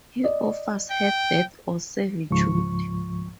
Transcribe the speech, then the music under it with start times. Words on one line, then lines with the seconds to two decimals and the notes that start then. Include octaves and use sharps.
He offers her death or servitude.
0.24 D5 D#5
0.91 G5
2.30 C#2 G#2 F3 C#6